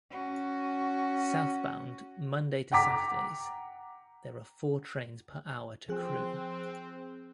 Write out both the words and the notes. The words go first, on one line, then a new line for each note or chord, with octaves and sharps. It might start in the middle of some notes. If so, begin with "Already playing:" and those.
Southbound Monday to Saturdays there are four trains per hour to Crewe.
C#4 F#4
F#5 G5 A#5 D6 B6
F3 C4 G#4 F#6